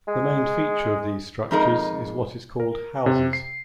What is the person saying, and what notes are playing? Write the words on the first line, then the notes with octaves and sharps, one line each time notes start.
The main feature of these structures is what is called 'houses'.
G#3
F2 G#3 D#4 G#4 A#4 D#5
A#4
C3
C7